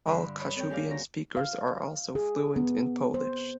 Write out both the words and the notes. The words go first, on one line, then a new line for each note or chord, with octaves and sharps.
All Kashubian speakers are also fluent in Polish.
G2 D3 E5 B5 C6
B4 C#5 D#5 A5 B5
C4 A4 C#5 G5
G4 G#4 A#4 D5 F5
D2 A#3 C#5 A#5
F5
G#4
B3
C5